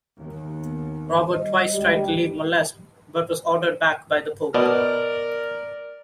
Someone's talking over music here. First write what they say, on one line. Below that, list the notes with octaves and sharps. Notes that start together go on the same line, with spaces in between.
Robert twice tried to leave Molesme but was ordered back by the Pope.
D#2
B3
G3 D#5
D2 G3 G#3
B2 A#4 D5